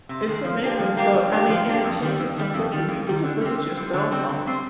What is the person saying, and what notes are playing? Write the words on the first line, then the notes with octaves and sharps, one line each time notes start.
It's amazing, so, I mean and it changes so quickly; you can just look at your cell phone.
C3
D#3 G#3
F3
A#3 D4 G4
F3
A#3 D4 G4
F3
A#3 D4 G4
F3
A#3 D4 G4
F2
D#3 G3
F2
D#3 G3
F2
D#3 G3
F2
D#3 G3
D3
G3 C4
D3
G3 C4
D3
G3 C4
D3
G3 C4